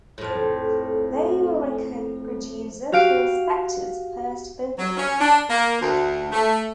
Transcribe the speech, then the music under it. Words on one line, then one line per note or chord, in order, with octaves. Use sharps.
They were record producer Phil Spector's first vocal group.
F2 A2
F#4 G4 F5 F6 D7
F#3
C#4
D4
A#3
D2
A3